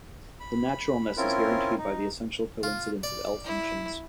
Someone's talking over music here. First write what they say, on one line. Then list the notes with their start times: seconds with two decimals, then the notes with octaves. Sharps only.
The "naturalness" is guaranteed by the essential coincidence of L-functions.
0.40 B5
1.17 C4 C#4 E4 F4 A#4
1.78 D#4
2.63 F4
3.03 D5
3.45 E4